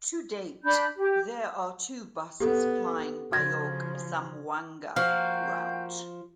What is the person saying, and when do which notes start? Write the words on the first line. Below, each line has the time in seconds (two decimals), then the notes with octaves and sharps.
To date, there are two buses plying Bayog-Zamboanga Route.
0.65 D4 B5 G6
0.96 G4
2.40 B3 G4 A4
3.32 C#3 F3 F#4 G#6 A#6
4.96 F3 A#3 F#4 F5 G5 G6